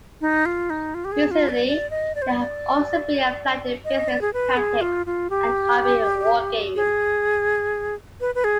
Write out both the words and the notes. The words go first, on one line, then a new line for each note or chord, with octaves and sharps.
Recently they have also been applied to business tactics and hobby wargaming.
D#4
F4
D#4
F4
G4
G#4
F4
D5
D5
D#5
D5
C5
D5
D5
D#5
D5
G#4
B4
G#4
F4
F4
G4
G#4
B4
B4
G#4